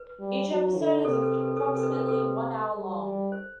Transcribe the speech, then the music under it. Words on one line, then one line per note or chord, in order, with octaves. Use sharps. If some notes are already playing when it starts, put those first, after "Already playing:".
Each episode is approximately one hour long.
Already playing: B4
G3
F#3
D3
C3 A4
B4
A4
B4
A4
B4
A4
C3 B4
A4
B4
A4
B4
A4
B4
G3
G3
C5